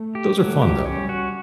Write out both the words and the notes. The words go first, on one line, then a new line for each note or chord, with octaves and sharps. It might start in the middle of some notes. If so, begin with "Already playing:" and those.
Those are fun, though.
Already playing: A3
G4
F#3 A3
G4
G3 C#4
F#4